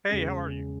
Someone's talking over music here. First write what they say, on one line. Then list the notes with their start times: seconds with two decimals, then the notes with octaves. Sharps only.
Hey, how are you?
0.10 E2 C#3 G#3 C#4 G#4